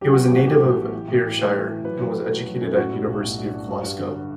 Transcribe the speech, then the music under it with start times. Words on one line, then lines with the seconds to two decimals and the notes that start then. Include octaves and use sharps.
He was a native of Ayrshire and was educated at the University of Glasgow.
0.01 F#3 G4
0.13 B3 F#4
0.25 G4
0.32 A1 F#4
0.47 F#3 G4
0.63 A2
0.78 B3
0.93 E3
1.08 A2
1.24 E3
1.39 A3
1.54 E3
1.69 E3
1.85 F#3 B4
2.01 F#3
2.15 F#3
2.31 A3
2.46 F#3
2.62 F#2
2.76 A2 F#4
2.92 G3
3.07 B1
3.23 A2
3.38 D4
3.53 D4
3.68 G2
3.83 G2
3.99 D3